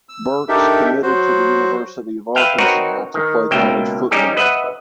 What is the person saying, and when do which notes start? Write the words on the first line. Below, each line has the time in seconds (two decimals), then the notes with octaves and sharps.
Burks committed to the University of Arkansas to play college football.
0.09 E6
0.48 D4 D#4 G4 A4 A#4 E5
1.03 F#3 F#4 C5
2.35 B4 E5 F5 G5
2.58 C4 D#4 F#4 A#4 B4 C#5
3.14 D#3
3.51 C#2 B2 A#3 E5 G5
4.11 G3 C#4 D#4 G4 G#4
4.37 B4 D#5 E5 F#5